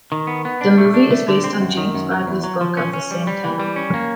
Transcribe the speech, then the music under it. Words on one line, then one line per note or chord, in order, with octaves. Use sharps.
The movie is based on James Bradley's book of the same title.
D#3
B3
B3
D4
A3
D4
A3
D3
C4
F#2
D#3
F#2
F#3
E2
F#3
F3
C#4
C#4
G3
G3
E3
G3
C#4
A#3